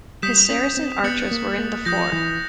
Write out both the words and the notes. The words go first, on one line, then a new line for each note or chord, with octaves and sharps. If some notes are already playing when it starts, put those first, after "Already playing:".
His Saracen archers were in the fore.
G3 D#6 G6 B6 E7
C#4
C4
B3 F#6 A6 C#7 F#7
A#3
A#3
F3 D#6 G6 A#6
E3